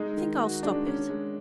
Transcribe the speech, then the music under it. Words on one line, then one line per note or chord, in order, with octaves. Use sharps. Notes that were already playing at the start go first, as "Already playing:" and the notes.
I think I'll stop it.
Already playing: G#3 D#4
D#3
F#4
G#3 D4
C#4
G#3